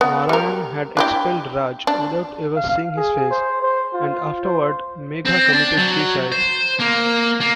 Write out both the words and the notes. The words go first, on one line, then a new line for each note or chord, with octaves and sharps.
Narayan had expelled Raj without ever seeing his face, and afterward Megha committed suicide.
B3
G3 A#4
D4 E4 G4
D4
F5
G#4
C5
C5
F4
C5
C4
D4
F#3
C5
A#3
A#3